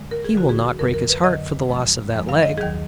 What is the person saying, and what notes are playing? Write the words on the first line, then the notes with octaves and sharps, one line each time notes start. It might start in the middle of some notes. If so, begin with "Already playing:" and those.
He will not break his heart for the loss of that leg.
Already playing: D3 G#3
A#4
G#4
D2 D3 F3 G#3 F#4
G#4
F2 D3 F#3 A#4
A#4
B4
F2 D3 F#3 D#5
F#2 F3 G#3
F#2 F3 G#3
F5
D#5
D#2 D#3 F#3 G#4